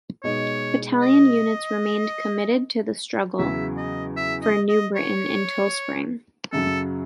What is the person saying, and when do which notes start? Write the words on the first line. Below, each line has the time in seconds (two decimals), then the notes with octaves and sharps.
Battalion units remained committed to the struggle for New Britain until Spring.
0.23 B2 G#3 D#4 C#5
1.02 D#5
3.38 E2 C#3 F#3 E5
3.77 D#5
4.17 E5
4.43 D#5
4.69 D#5
4.96 C#5
6.52 F#2 C#3 F#3 A4